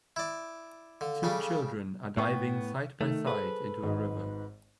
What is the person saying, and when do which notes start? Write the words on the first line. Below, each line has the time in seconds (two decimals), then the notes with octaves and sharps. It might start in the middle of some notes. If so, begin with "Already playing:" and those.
Two children are diving side by side into a river.
0.16 E4 D5
1.01 D3 A4 F5
1.23 C#3 G3 D4
2.17 A2 B3 G5 C#6
3.01 D#3 A3
3.27 G#4 A4 B4 C5
3.83 G#1 G#2 D#5